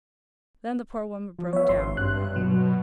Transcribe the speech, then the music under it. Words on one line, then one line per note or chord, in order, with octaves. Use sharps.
Then the poor woman broke down.
F3
B3 C#5 E5
G#1 C6
G2 F#6
B2 F#3